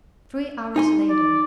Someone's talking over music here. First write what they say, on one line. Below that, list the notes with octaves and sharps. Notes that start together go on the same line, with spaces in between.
Three hours later.
D#4 G#5 C6
D5